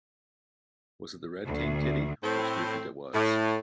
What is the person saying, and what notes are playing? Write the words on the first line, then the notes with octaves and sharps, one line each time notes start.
Was it the Red King, Kitty? Which do you think it was?
D2
A2 C4
A2